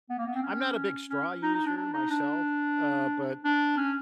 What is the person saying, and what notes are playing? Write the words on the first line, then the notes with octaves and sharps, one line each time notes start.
I'm not a big straw user myself, uh, but
B3
A#3
B3
C4
C#4
C#4
D#4
D#4
D4
D4
D#4
D4
D4
C#4